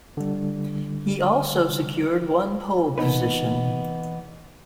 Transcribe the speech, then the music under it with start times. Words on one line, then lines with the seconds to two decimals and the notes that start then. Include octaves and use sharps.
He also secured one pole position.
0.17 D3 G3
2.98 E3 A#3 B3 D#4 B4